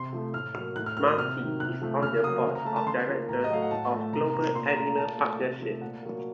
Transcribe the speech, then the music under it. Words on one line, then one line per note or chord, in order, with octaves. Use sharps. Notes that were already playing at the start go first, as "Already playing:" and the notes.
Mackey is on the Board of Directors of Global Animal Partnership.
Already playing: C3 C6
F3 A3
A2 F6
F#3 A#3 F6
A2 F#6
F6
F#3 A#3 F6
D#6
C3 F6
D#3 F#3
C3 F#6
F3 A3
C#3 F6
F#3 A#3 D#6
C#3
A#5
A3 A5
A5
C#3 C6
F3 A#3
A2 A#5
D#5
F#3 A3 F5
F#5
A2 A5
F3 A3
C3 A#5
F3 A#3 A#5
A#2 C6
A#5
A3 A#5
A#5
A#2 A5
A3
C3
F3 A3
A#2 F#5
F#3 A#3